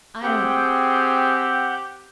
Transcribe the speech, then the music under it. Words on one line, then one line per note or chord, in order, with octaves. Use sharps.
'I don't know.
C4 G4 G#4 F#5 G6